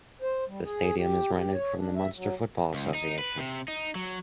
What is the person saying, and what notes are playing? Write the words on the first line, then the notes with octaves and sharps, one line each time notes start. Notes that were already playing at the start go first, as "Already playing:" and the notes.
The stadium is rented from the Munster Football Association.
C5
G3
G#4
G4
G4
C#5
D4
E5
F#3
C#2
D#4
B4
C3
D#4
F#3